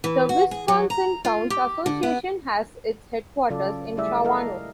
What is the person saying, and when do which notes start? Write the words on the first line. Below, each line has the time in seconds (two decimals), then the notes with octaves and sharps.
The Wisconsin Towns Association has its headquarters in Shawano.
0.04 E3
0.29 F#4
0.51 G#4
0.68 F#3
0.90 A#5
1.25 F4
1.50 G4
1.86 D3
2.03 B3
3.50 C#3 F#3 F4 A4 D5
3.97 G3 A3 E4 G#4 D5 E5
4.24 E4 A4 A#4 D#5 F5